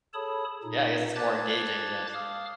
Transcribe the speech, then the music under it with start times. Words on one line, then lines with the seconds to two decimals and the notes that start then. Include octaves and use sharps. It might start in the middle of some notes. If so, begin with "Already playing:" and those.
Yeah, I guess it's more engaging, you know, so
0.14 G#4 A4 C#5 A5 B5 D#6
0.63 A#2 D#4
1.15 C5 A5 D6 F#6 G#6 A6
2.13 F5 D6 D#6 F6